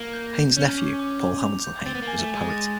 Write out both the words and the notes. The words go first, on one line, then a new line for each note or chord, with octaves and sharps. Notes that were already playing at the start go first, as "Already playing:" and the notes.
Hayne's nephew, Paul Hamilton Hayne, was a poet.
Already playing: A#3
G6
G6
C#4 G6
D6
D6
D6
F7
G6
C4 A6
B3
A#3
G#5
A3
G#3 G#5
A6